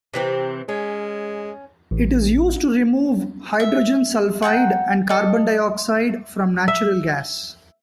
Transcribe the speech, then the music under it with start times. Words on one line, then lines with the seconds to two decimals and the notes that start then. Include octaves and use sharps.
It is used to remove hydrogen sulfide and carbon dioxide from natural gas.
0.14 C3 E3 C4
0.69 G#3 C#4
1.91 A1
3.60 E5
4.42 F#5 G5 A5 A#5
5.09 A4 D#5
6.68 E5